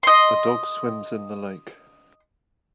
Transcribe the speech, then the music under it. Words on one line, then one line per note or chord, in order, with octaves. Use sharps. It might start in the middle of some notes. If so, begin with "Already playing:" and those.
A dog swims in the lake.
D#5 C6